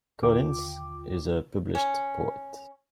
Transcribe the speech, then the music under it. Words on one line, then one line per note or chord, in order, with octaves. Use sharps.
Collins is a published poet.
D#2 D3 F4 G5 D6
C#4